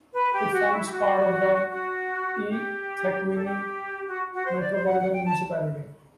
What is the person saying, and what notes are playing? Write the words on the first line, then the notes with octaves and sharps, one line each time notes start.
It forms part of the eThekwini Metropolitan Municipality.
B4
G4
F#4
E4
G4
F#4
F#4
G4
G4
A4
G4
F#4
F#4
C5
D5
C5
F#5
F#5
G5
A5